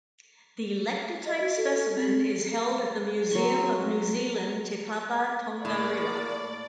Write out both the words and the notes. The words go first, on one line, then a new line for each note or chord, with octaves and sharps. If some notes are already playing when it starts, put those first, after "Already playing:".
The lectotype specimen is held at the Museum of New Zealand Te Papa Tongarewa.
D#5
F#4
A4
C4
F#3 C6 C#6
A2 A#3 D5